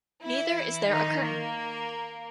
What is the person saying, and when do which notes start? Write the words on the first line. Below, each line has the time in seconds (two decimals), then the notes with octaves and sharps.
Neither is there a curtain.
0.24 E3 E4
0.90 D#3 D#4
1.24 A#3